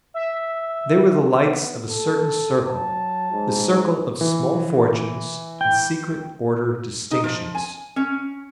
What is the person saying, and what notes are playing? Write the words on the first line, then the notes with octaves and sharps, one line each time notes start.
They were the lights of a certain circle--the circle of small fortunes and secret order distinctions.
E5
B3
A4
F#3 A5
G#2
E3
G5
D#4
F3
G#5
C#4